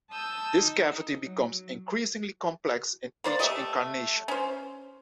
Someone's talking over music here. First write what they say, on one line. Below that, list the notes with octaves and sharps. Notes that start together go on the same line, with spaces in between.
This cavity becomes increasingly complex in each incarnation.
A5 D#6 E6 G6
D#4
F#3
A#3 C5 D5
A3 G4 D#5
C#4 C5